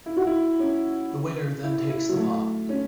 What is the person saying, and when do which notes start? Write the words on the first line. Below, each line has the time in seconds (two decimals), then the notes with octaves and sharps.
The winner then takes the pot.
0.06 E4
0.17 F#4
0.27 E4
0.59 C#4
1.64 E4
1.90 E4
2.09 F#3
2.17 A3
2.69 C#4